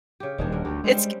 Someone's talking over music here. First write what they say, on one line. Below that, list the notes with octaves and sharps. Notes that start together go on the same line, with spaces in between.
it's g
C#3 G4
D#1 D#3 D4 G#4
D3 A#4
D2 G4
G3 G#3 C4 C#4